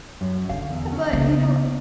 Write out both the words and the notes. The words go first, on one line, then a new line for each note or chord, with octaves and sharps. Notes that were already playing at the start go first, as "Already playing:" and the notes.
but, you know
F#2
D3 F5
E2
C#4
C#3 A#3 E4
B3